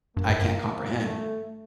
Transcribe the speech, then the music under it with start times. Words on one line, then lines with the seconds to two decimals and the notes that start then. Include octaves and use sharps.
I can't comprehend.
0.16 G2 A#3
0.30 G#2
0.42 G2
1.02 A3